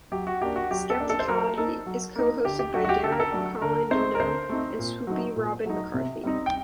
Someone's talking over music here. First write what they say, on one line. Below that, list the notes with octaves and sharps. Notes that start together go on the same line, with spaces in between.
"Skepticality" is co-hosted by Derek Colanduno and "Swoopy" Robynn McCarthy.
F#3 G4
F#4
A#3 D4 G4
F#4
F#3 G4
A4
A#3 D4
A4
C5
F#3 A#4
A#3 D#4 A4
F#3
A#3 D#4
D3 G4
G4
F#3 A3 D4 F#4
F#4
G4
D3 A4
A#4
A4
F#3 A3 D4
D3 A#4
A3 C4 D#4 C5
A#4
D3 C5
A3 C4 D#4
A#2
F#3 A3 D#4
A#2
F#3 A3 D#4
C3
G3 C4 D#4
G5